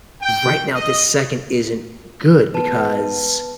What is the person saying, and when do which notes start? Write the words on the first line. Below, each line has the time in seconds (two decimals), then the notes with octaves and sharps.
right now, this second isn't good because"
0.22 G5
0.74 D#5
2.54 B3 B4 A5